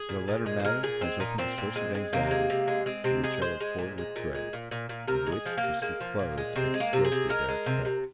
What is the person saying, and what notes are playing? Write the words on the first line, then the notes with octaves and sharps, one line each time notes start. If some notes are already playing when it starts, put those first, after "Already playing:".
YOUR letter, Madam, has opened a source of anxiety, to which I look forward with dread, and which, to see closed, I scarcely dare expect.
Already playing: G#4
A#2
A#2
G#3
C5
G#3 A#4
A#2 G#4
G#3 C4
A#2 D#4
A#2 C4
A#2
G#3
G#3
C3 A#3
G#3
C3
G#3
G#3 C4
C3 C4
G#3 G#4
G#3 C5
G#3
A#2
G#3
A#2
G#3
A#2
A#2
A#2
C3 A#4
G#3
G#4
F3
A#3
C3
G#3 A#3
F3
A#2
G#3
C3 C4
G#3
A#3
C3
G#4
C3
G#3 A#4
G#3
C3
C3